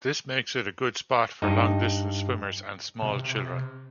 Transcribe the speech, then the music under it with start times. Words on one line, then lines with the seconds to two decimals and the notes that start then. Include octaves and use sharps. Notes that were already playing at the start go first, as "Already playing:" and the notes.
This makes it a good spot for long-distance swimmers and small children.
1.42 G2 D#4
3.02 C3